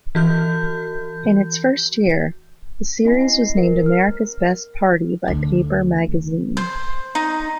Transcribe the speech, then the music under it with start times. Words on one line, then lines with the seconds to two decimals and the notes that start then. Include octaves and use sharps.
In its first year, the series was named "America's Best Party" by Paper Magazine.
0.15 E3 F#4 G6
3.05 C4 E4 D#5 G#5 B5 A#6
3.21 C7
3.57 A#4
3.86 C5 F6
5.28 D2
6.57 C5
7.15 D#4